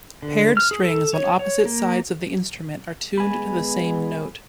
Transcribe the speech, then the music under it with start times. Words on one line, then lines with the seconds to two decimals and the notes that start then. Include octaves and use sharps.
Paired strings on opposite sides of the instrument are tuned to the same note.
0.22 D3
0.57 F6
0.71 G#4
0.84 A4
1.14 C#5
1.39 C#5
1.66 A#3
3.18 G#3 B3 G#5 B5